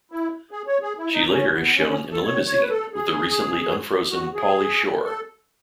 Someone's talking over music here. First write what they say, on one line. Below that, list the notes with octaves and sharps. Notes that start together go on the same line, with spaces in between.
She later is shown in a limousine with the recently unfrozen Pauly Shore.
E4
G#4
C#5
G#4
E4
D#4
C#4
B3
C#4
C#4
A4
C#5
C#5
B4
A4
G#4
F#4
G#4
A4